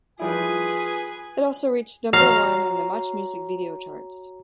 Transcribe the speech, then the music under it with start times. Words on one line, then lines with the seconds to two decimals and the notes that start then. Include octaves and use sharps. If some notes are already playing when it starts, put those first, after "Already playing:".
It also reached number one on the MuchMusic video charts.
0.19 F3 G3 E4 F4 G#4 B4 G#5
2.13 F#4 C#5 F5 A#5